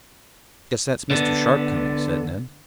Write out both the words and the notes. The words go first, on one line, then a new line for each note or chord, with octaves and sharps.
"Guess that's Mr. Sharp coming," said Ned.
D3 B3